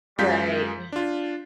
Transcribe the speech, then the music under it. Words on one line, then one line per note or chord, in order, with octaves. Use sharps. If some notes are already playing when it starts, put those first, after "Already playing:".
Right, ye
F#2 G#3 F4 F5 G6 B6
D4 F4